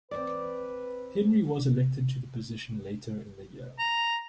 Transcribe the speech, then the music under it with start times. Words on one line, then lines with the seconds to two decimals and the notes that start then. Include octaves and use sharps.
Henry was elected to the position later in the year.
0.11 C4 B4 D5
3.79 A#5